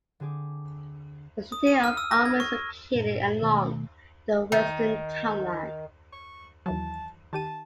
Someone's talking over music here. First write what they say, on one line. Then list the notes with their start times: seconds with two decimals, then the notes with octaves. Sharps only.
The city of Alma is located along the western town line.
0.20 D3 C4 G#4 D6
1.52 D#6
1.67 D#7
1.84 F6
1.97 E6
2.11 A#6
2.25 G#6
2.40 C#6
2.95 G2 A#2
3.42 B2 D#3 A3
4.52 D#3
6.12 C#6
6.66 D#2 E3 F#3 A5
7.33 D#3 G4 A5 D#7